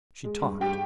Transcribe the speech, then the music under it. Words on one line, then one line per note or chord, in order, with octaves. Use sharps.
She talked.
G#3
G2
G2 G4 G5